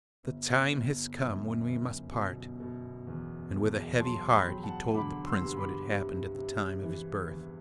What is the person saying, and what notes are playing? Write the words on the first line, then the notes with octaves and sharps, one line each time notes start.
The time has come when we must part,' and with a heavy heart he told the Prince what had happened at the time of his birth.
G1
G1
F#2
G1
B2
B2
E2
E1
F#3 A5 C6
G5 B5
F#3
F#5 A5
D3 B5 D6
C6 E6
G2
B5 D6
C3
C3
E3
E2